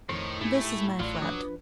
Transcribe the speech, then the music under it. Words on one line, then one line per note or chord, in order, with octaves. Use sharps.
This is my flat.
F2 A2 D#3 C5 C#5
G#2 A3 E4 G4 G#5
A1 F#3 F4 D5 C6
F3 D4 B4 D6 D#6